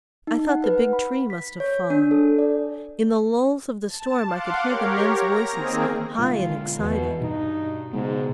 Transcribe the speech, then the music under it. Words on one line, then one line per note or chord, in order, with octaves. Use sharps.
I thought the big tree must have fallen. In the lulls of the storm I could hear the men's voices, high and excited.
D#4
F#5
B4
B5
B6
C#5
D4
A4
D5
A5
F5 F#5 C6 D6
G4 A#4 C#5
A#5 A#6
D#3 A#3 C4 G#4
B2 D3 G#3 F4
E2 B2 D#3 E3
G2 B2 D#4
G#2 C#3 G#3 B3